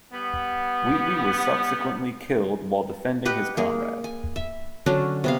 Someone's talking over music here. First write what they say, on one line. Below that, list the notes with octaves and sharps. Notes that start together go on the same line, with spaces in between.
Wheatley was subsequently killed while defending his comrade.
G3 B3
G4 B4 D#5 F#5
A#3 G#4
G#5
E5
D3 F#3 C#4 D4
C3 B3 F5